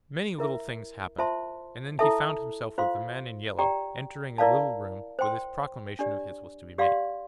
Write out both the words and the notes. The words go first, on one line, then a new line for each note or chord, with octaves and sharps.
Many little things happened, and then he found himself with the man in yellow entering a little room where this proclamation of his was to be made.
E4 A#4 E5
F4 C5 E5 A5 C6
E4 A4 E5 A5
F4 C5 F5 C6
G4 D5 G5 A#5
E4 A#4 D5 F5 A5
C5 G5 C6
D4 G4 D5
G4 D5 F5 C6